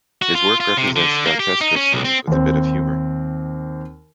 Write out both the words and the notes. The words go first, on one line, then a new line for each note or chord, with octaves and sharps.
His work represents gauchesco scenes with a bit of humor.
F#4
F4
F4
C3
D3
A#3
G4
D#4
C#4
B1
C4
D#2 C4